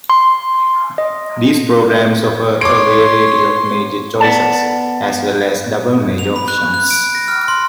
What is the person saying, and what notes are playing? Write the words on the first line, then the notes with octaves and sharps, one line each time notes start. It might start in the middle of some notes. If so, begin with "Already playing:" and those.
These programs offer a variety of major choices, as well as double-major options.
C6
D#5
C#5 C6 D6 D7
B3 D5 A5
F7
B5
F#6
F#6
D7
A#6
F6
C6